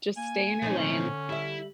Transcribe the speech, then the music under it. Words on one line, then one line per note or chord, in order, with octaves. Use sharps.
just stay in your lane
A#3 G#5
A#2 F3 A3 C4 D#4
D3 C#4
G3 E4 E5